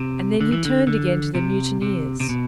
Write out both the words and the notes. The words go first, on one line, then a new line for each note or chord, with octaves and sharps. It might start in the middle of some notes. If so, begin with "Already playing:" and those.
And then he turned again to the mutineers.
Already playing: C3
D3
E3
D3
D3
C3
C3
C3
B2